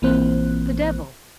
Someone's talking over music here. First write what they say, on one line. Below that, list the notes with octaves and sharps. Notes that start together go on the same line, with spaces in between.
"The devil!"
A#1 E3 A#3 C4 C5 F#6